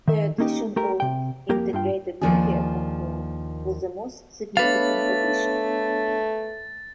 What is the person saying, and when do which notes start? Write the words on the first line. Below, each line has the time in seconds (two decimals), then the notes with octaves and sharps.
The addition of integrated media control was the most significant addition.
0.08 D#3 E5
0.38 A#3 C#4 D#4 G4
0.76 A3 G4 A#4
1.00 C3 G5
1.49 F2 A#3 G4 A#4
1.73 G2 F4 G5
2.21 D#2 F3 A#3 D4 G#4
4.57 A3 B3 D4 B4 C#5 F5 A6